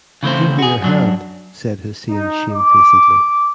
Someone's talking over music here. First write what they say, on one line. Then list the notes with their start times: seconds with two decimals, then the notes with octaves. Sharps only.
"Give me your hand," said Hussain shamefacedly.
0.23 C#3 E3 A3 C4 C5
0.59 F#4 G#4
0.82 F#2 F#3 D4
2.10 D#4
2.53 D6